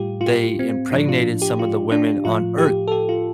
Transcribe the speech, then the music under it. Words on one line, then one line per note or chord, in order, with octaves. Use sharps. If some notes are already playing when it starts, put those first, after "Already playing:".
they impregnated some of the women on earth.
Already playing: A2 G3 F4 G4
F4
G4
C4
A2 F3 D4
F4
G4
F4
D4
A2 F3 F4
G4
A4
G4
F4